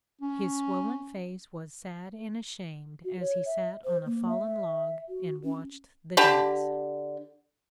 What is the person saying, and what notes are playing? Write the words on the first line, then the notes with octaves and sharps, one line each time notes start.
His swollen face was sad and ashamed as he sat on a fallen log and watched the dance.
C#4
F#4
C#5
E5
C5
A#3
E5
F#4
C#4
D3 G4 A5 B5